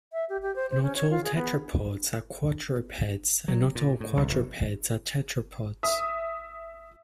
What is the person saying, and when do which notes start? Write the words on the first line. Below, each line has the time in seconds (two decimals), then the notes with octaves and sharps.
Not all tetrapods are quadrupeds and not all quadrupeds are tetrapods.
0.13 E5
0.29 G4
0.42 G4
0.56 C5
0.70 C5
0.83 C#4
0.96 C#5
1.10 F4
1.24 G#4
1.35 B3
3.48 F#3
3.75 A#2
4.00 A2
4.17 C2
4.29 F1
5.83 E5 D#6